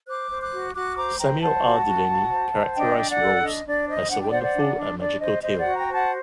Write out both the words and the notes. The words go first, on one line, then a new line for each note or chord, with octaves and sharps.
Samuel R. Delany characterized "Rose" as a "wonderful and magical tale".
C5 D6 F#6
C5
D6 F#6
F#4
F#4 D6 F#6
C5 A#5 D6
C5 G5 A#5
C5 F#5 A5
F#4
F#4
F#4
C5
C5
D4 D#5 G5
D4
D5 F#5
A4
D4 D#5
D4 D5
C5 D#5
D4 F#5
G5
C5 D5 F#5
D5 F#5
D4
D4
D4 D5
C5 D#5
C5 D#5
D5 F#5
F#4
G5 A#5
C5 F#5 A5